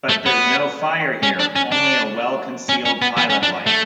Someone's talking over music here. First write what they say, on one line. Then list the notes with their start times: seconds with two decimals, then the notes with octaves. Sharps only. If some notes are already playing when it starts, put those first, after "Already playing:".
But there's no fire here, only a well-concealed pilot light.
0.09 A3
0.26 B3
1.23 C#4
1.39 D4
1.56 C#4
1.72 D4
2.69 C#4
2.85 C#4
3.02 B3
3.18 B3
3.30 C#4
3.43 D4
3.66 A3